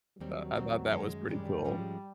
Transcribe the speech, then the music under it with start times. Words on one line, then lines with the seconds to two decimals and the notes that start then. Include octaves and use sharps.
Uh, I thought that was pretty cool.
0.20 D#2 D#3 F#3 G3 C4
0.56 D#2 D#3 G3 C4
0.92 F#2 D#3 G#3 C#4
1.28 F#2 D#3 G3 G#3 C#4
1.64 G#2 F3 G#3 C#4